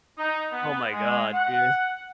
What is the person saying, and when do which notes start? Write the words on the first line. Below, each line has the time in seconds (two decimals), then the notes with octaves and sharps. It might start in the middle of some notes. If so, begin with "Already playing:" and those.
Oh my god, dude.
0.18 D#4
0.52 B3
0.92 G#3
1.33 F#5